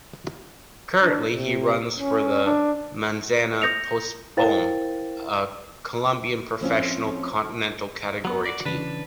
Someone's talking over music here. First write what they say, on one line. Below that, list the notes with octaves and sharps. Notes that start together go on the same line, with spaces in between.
Currently, he runs for the Manzana Postobón, a Colombian Professional Continental category team.
D4
C3
C#4
D4
D#6 G6 A#6 C#7 F7
E4 A#4 C5 F5 G5 A6
F3 C4 C#4 F4
F#3 B3
F#4 D5
C#3 E3 C#4 D4 B4